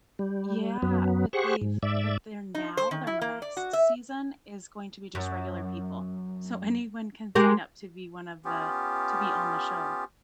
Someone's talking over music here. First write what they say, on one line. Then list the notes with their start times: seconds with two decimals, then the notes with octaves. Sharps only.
yeah, but they've but they're now their next season is going to be just regular people, so anyone can sign up to be one of the to be on the show.
0.19 G3
0.82 F#2 F#3 B3
1.33 G4 G#4 C5 F#5 C#6
1.61 G#2
1.83 G#2 D5 E5
2.55 D#4
2.77 C5
2.91 D#3
3.07 E4
3.22 A#3
3.42 D5
3.57 F#4
3.73 E5
5.15 F#2
7.35 G#3 G4 A#4
8.45 B3 C#4 F4 G4